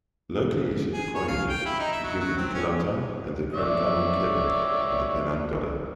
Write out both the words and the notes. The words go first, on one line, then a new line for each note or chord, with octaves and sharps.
Locally issued coinages included the Kelantan and Trengganu keping, and the Penang dollar.
G#4
C#5
F5
G5
E4
D#4
E5
F#3
F#3
C4
C#4
C#5 D5 E5